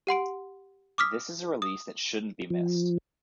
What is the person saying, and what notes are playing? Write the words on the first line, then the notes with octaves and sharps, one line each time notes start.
This is a release that shouldn't be missed.
G4 F#5 C6 D7
D6 D#6 F6 B6
D#6
F3